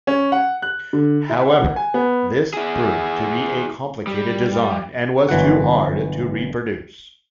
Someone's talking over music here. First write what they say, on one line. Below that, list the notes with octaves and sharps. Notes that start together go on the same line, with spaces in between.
However, this proved to be a complicated design and was too hard to reproduce.
C#4
F#5
F#6
D3
E4
F#5
G#5
B3
E4 G#4
G3
G1 E3 F#3 F#5